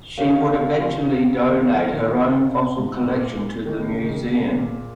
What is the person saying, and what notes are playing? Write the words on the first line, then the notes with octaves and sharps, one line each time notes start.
She would eventually donate her own fossil collection to the museum.
D#3 G4 C#5 F5
C#3
C3
C#3
D#3
F3
D#3
C3
G#2
C3
A#2
D#3 G#4 C#5 G5
C#3
D#3
C#3
C3
A#2